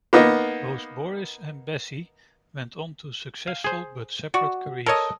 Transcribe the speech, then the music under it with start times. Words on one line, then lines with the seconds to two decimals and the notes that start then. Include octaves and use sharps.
Both Boris and Bessie went on to successful but separate careers.
0.13 A#3 B3 D#4
3.47 F5
3.64 G#4 C5
4.34 F#4 D5
4.86 A4 A#4 C#5 D#5